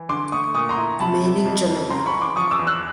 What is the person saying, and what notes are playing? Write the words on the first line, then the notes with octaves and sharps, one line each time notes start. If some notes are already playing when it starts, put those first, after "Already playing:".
Remaining genera.
Already playing: E3
D3 C6 D6
A3 C#6 D#6
A#2 C#6 D#6
A#5 C6
E4
C3 A5 B5
C3
F2
F2
C#3 A#5 C6
B5 C#6
E3
C6 D6
F3 C#6 D#6
D6 E6
E2
E6 F#6